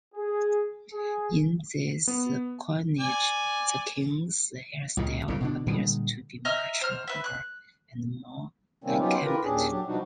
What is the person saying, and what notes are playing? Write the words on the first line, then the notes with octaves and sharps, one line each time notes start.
In this coinage the king's hairstyle appears to be much longer and more unkempt.
G#4
G#4
B3
D5 G#5
C#2 A#2 C#3
G1 F2 A#2 C#3
B2 D3 D4
A#2 D3 G3 G#3
D#5 E5 A#5 F6
C5 F6
B4 E5
F#6
C3 D#3 G3 A#3 C4 C#4
F#3 B3 C#4 D#4 F4 G4
D3 E3 F4 G4 A#4 B4
D#2 A#2 C#4 D4 G4 G#4
F#3 D4 G4
B2 F3 G3 D4 D#4 F#4